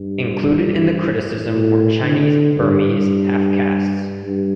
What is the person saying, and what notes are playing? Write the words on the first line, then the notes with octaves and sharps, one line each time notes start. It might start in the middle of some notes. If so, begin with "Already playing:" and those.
Included in the criticism were Chinese-Burmese half-castes.
Already playing: G2
A2
D3
G2
G2